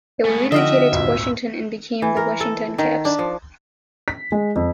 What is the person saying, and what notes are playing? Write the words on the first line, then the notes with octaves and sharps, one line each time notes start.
They were relocated to Washington and became the Washington Caps.
G#3 A3 B3 G#5 B6
D3 F3 D#4 F#4 G4 D#5 E5 F6
G#1 D2 A#2
E3
A#4
A4
D#3
D4
F3
B6
G#3
F2